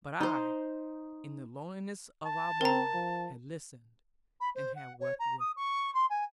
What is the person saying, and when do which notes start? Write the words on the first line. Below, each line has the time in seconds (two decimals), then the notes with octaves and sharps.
But I, in the loneliness of our barn, had listened, and had wept with him.
0.21 D#4 C5
2.26 A5
2.61 C4 A#4 A#5
2.94 F3
4.40 B5
4.55 C5
4.75 F#5
5.00 C#5
5.19 A#5
5.40 D#6
5.56 C#6
5.94 C6
6.10 G#5